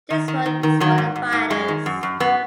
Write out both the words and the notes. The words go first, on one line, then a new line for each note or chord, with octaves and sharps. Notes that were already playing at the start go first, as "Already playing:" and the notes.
This one is for the fighters.
D#3
D#3
D#3
D#3
D#3 F#3
G#2
G#2
G#2
F#2 G#3
D#3
F#2
F#2
F#2 B3